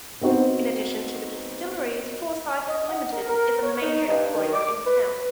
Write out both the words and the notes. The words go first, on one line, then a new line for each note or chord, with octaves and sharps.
In addition to the distilleries, Forsyths Limited is a major employer in the town.
B3 C4 D#4 F#4 C5
D#5
F#5
A#4
A#4
C#5
D#4
G2
D#3
D6
B4